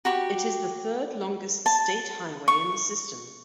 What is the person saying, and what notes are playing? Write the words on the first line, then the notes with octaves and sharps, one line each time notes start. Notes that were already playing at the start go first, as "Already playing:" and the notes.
It is the third-longest state highway in the system.
F#4 G4 C#6
A5
C#6